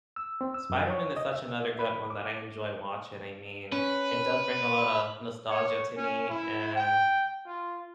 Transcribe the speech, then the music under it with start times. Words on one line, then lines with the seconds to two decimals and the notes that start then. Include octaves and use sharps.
Spider-Man is such another good one that I enjoy watching. I mean, it does bring a lotta nostalgia to me, and
0.16 E6
0.41 C4
0.54 E6
0.70 F#2
0.90 C#5
1.16 D#5
1.34 E5
1.79 B5
2.10 D6
3.72 C#4 B4
5.49 C#5
5.97 C#4
6.29 E4
6.75 G5
7.46 F4